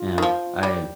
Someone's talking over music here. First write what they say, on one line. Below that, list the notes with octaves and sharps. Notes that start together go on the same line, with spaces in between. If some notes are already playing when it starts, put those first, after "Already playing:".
Yeah. I
Already playing: F4
D#3
F3
G3